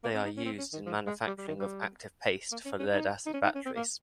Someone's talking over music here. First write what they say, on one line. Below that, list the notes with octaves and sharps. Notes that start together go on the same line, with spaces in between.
They are used in manufacturing of active paste for lead acid batteries.
A#3
C4
D#4
C#4
C4
C#4
D#3
F3
G#3
G3
G3
D#3
G3
A#3
C#4
C#4
D#4
D#4
C#4
D#4
C#4
C4
A#3